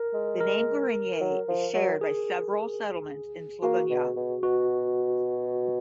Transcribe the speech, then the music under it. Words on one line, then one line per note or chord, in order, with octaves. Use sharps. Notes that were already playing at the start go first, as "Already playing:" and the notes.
The name "Gorenje" is shared by several settlements in Slovenia.
Already playing: A#4
G#3
A#4
F#3
F3
F#3
G#4
A#3 F#4
B2
B2
B2 F#4